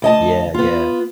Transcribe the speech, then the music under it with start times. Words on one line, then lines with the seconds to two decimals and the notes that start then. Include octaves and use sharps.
Yeah, yeah.
0.02 D2 D#5 A5
0.54 B3 F4